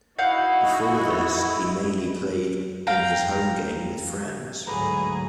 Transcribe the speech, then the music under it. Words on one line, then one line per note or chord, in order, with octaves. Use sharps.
Before this, he mainly played in his home game with friends.
D#4 E4 F#4 D#5 F5 F#5 G6
F5 G5 A#5
D2 G#2 F#3 G#4 A4 B4 A#5